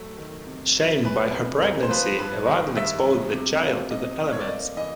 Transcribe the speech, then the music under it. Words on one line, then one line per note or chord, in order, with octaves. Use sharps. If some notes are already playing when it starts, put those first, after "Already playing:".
Shamed by her pregnancy, Evadne exposed the child to the elements.
Already playing: F#3 A3
D#3
C3
F#3
E2 B4
C3
E2 A#4
C5
F3 B4
G2 B4
D#3
G2 E5
F#3
C3
F3
C3 D#5
A3
C#5
D5
A#3 D#5
E3 D#5